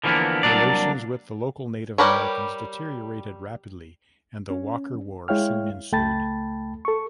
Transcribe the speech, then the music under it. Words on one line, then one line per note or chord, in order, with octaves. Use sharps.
Relations with the local Native Americans deteriorated rapidly and the Walker War soon ensued.
D3 E3 F3 G3 A#3 B3
C2 F#3 A#3 D4 D5
G3 G4 A#4 B4 C#5
C#4
G#3 E4 C#5 F5 G5 F6
C#2 A3 G5 A5 B5 A6
A4 C#6